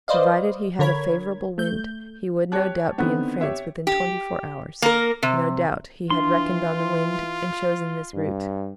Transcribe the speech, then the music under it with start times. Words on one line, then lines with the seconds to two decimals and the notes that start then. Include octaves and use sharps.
Provided he had a favourable wind, he would no doubt be in France within twenty-four hours; no doubt he had reckoned on the wind and chosen this route.
0.08 B4 C5 D5 D#5 F5
0.79 D3 A#4 C#5 B5 G#6
1.58 A3 G6
2.52 G4 C#5 A5 F#6
2.98 D3 D#3 B3 C4
3.41 G4 C#5 E5
3.87 G4
4.82 A#3 A#4
5.23 C3
6.10 E3 D4 F4 C6
8.14 G2